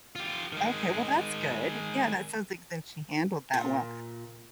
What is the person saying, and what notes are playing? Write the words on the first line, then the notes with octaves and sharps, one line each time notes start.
Okay, well, that's good. Yeah, that sounds like that she handled that well,
F4 G4
D#3 G#3
A#2